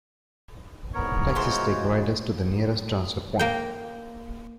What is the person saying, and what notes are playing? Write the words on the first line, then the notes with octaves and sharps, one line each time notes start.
Taxis take riders to the nearest transfer point.
C2 G#2 B3 A#4 C#5
C#3 E3 G#3 F4 F#4 C5
A#3 G5